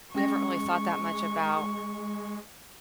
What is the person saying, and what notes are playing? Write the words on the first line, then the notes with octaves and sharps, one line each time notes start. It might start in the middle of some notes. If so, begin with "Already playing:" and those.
We haven't really thought that much about
G#3 C#4 G5 C#6 A#6